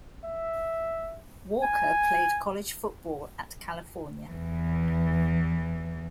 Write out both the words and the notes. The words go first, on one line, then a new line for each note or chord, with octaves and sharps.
Walker played college football at California.
E5
G#5
E2 E3